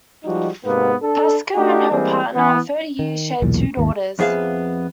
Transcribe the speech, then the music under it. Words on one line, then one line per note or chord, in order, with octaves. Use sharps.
Pascoe and her partner of thirty years shared two daughters.
F3 G3 G#3 D#4 F#4
G#2 C3 A#3 B3
D4 A4
A3 D4 D#4 F#4 G4
E3 G3 G#3 A#3 C4
E3 B3
D#3
B1 E2 A#2
G#1 D#2
F2 B3 G#4 E5 F5